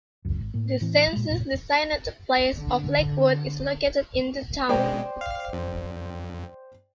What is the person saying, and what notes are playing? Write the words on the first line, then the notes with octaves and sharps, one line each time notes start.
The census-designated place of Lakewood is located in the town.
C#2 F#2
G#1
A2 A#3
A2 E3 C4
A#2 G#3
G#1 F2 A#2 C#3
D3
B2 G#3 C5 D5 G5
F5
F2